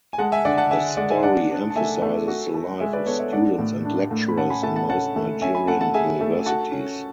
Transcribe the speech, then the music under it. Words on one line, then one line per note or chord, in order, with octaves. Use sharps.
The story emphasises the life of students and lecturers in most Nigerian universities.
G#5
G#3 F#5 A5
E5 G#5
D3 D5 F#5
F#5 A5
D3 E5 G#5
G#3 D5 F#5
E5 G#5
D4 D5 F#5
D4
A5
A3 E5 G#5
A3
F#4
A4
G#3 E5 G#5
B4 D5
B3 A4 C#5
C#5 E5
D4 D5 F#5
A2
D4
A2
B5
C#4 F#5 A5
G#5 B5
A3 F#5 A5
F#5 A5
C#4 F#5 A5
A3
C#4 E5 G#5
G#5 B5
A3 F#5 A5
F#5 A5
G#4 E5 G#5
A3
F#4 F#5 A5
C#4